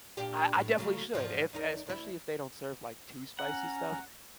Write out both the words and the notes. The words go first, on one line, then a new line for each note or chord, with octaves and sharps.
I I definitely should if especially if they don't serve, like, too spicy stuff.
A#2 D4 G4
A2
C#3 F#3 A3
E2 G#2 F3
E2 D#4 A#4
D2 E4
C#4 F#5 A#5